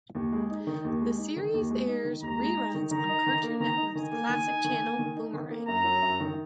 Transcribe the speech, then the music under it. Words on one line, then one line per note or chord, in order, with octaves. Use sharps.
The series airs reruns on Cartoon Network's classics channel Boomerang.
D#2
G#3
D#4
D#3
D#2
G#3
D#4
D#3
D#2
G#3
D#4
D#3
D#2 A#5
G#3
D#4
D#3
D#3 A#5
D#4
D#3
A#3
D#3 A#5
D#4
D#3 G#5
A#3
D#3
D#4
D#3
A#3
D#3
D#4
D#3
A#3
F#2 A#5
F#3
F#2
D#3